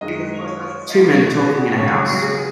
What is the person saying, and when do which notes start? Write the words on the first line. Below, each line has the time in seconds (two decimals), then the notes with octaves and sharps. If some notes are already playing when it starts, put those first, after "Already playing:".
Two men are talking in a house.
0.01 F#2 D#3 G#3 D#5
0.46 C#5
0.90 D#5
1.12 C#5
1.34 B4
1.47 G#4
1.55 F#4
1.78 D#2 C#3 F#3 C#5
1.99 C#5
2.22 G#4